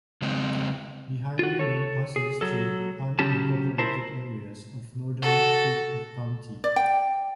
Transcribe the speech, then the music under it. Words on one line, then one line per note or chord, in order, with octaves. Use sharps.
The highway then passes through unincorporated areas of northeast Creek County.
C#3 G#3 C4
F4 F#4
A4 C#5
G#4
F#3 A4
C#3 F#3 C#4 G4 A5
E4 A#4 C5 A5
F#4 A4
D5
G5